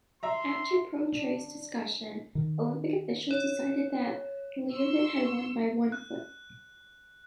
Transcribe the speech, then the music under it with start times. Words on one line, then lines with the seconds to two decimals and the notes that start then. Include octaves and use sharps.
After protracted discussion, Olympic officials decided that Leavitt had won by one foot.
0.23 E5 A#5 C6
1.13 D4
2.35 D#3
3.31 C#5
4.72 C6 C#6 E6
5.92 F#6